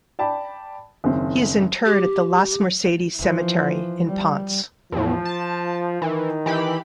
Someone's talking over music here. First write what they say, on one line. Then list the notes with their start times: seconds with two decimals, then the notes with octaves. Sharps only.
He is interred at the Las Mercedes Cemetery in Ponce.
0.19 D5 G5 A5 B5
1.04 F#1 D#2 C4 C#4
1.85 G4
3.17 E3 F3
4.07 G3
4.92 E2 A2 F3
5.25 A5
6.02 D#3 E3
6.46 E3 G4 B5